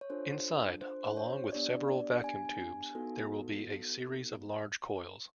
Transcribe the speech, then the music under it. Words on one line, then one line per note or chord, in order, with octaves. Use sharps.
Inside, along with several vacuum tubes, there will be a series of large coils.
C#5
D4 F4 A4 C5
C5
C5
C#5
B3 D4 G4 D5
D5
G#5
B3 D#4 F#4 A4